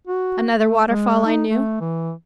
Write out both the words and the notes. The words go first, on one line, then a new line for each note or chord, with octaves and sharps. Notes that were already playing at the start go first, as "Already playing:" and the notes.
"Another waterfall I knew."
F#4
A3
G#3
D#4
A3
E3